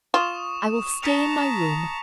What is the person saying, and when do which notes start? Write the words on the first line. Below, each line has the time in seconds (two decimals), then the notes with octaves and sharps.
I will stay in my room.
0.14 F4 C#6 D#6 E7
1.02 A5 A#5 B6 C#7 F7